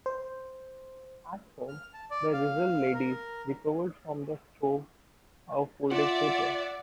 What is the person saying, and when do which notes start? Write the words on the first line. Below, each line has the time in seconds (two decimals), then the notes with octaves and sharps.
At home, the Rizal ladies recovered from the stove a folded paper.
0.06 C5
1.68 F6
1.94 A5
2.11 D5
2.33 F5
2.94 A#4
5.92 F4 D5 E5 F#5